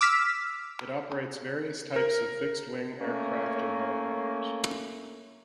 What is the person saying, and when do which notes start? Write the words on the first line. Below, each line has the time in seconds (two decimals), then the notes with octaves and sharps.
It operates various types of fixed-wing aircraft and helicopters.
0.01 D6 E6 F6 B6
1.96 A#4
3.00 A3 A#3 C#4